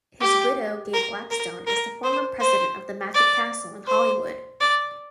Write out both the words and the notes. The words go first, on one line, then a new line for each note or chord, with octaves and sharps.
His widow, Gay Blackstone, is the former president of The Magic Castle in Hollywood.
G4
A#4
A#4
A#4
C5
C5
D5
C5
D5